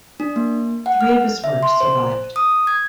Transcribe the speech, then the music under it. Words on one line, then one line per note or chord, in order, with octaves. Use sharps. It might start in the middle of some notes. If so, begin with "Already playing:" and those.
Three of his works survived.
D4
A#3
F#5
F6
E5
C6
C5
D#6
G#6